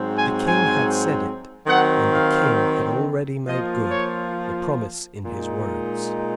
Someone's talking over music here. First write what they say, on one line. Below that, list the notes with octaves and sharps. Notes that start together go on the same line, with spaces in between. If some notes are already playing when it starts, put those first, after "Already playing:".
The King had said it, and the King had already made good the promise in his words.
Already playing: G#2 F#3 C4
G#5
G#5
D#3 F#3 C4 F#5
F5
F3 A#3 F4 D#5
C#5
A#2 G#3 D#4